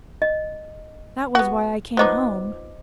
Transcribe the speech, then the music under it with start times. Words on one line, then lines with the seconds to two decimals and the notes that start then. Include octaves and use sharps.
That was why I came home.
0.22 D#5
1.35 B3 F#4
1.97 F3 B3 D#4 C5 D#5 D6